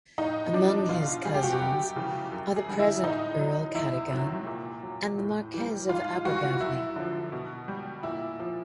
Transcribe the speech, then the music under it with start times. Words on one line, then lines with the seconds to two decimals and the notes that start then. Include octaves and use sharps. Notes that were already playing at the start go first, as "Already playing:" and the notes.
Among his cousins are the present Earl Cadogan and the Marquess of Abergavenny.
0.18 A2 D#4
0.53 F3 D4
0.89 B2 F4
1.25 G3 G#4
1.34 G4
1.43 F#4
1.52 G4
1.61 F#2
1.96 C#3 E3
2.32 F#2
2.56 G#4
2.69 D3 G3
2.79 E4
3.04 A2 D#4
3.39 F#3
3.74 E2 E4
4.11 C3 D#3 F#3
4.46 A#2
4.83 F#3
5.18 A2
5.54 E3 G3
5.89 G#2 F4
6.25 E3 G3 F#4
6.61 F#2 E4
6.96 D3 F3
7.32 B2
7.68 G3
8.03 A#2 E4
8.40 F3